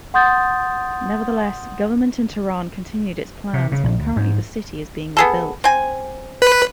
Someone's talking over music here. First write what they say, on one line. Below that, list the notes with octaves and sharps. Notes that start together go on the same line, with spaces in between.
Nevertheless, government in Tehran continued its plans and currently the city is being rebuilt.
F#5 C6 D#6 G6 A6
C3
C#3
A#1
D2
G#2
B3 G#4 A4
C4 G#5
B4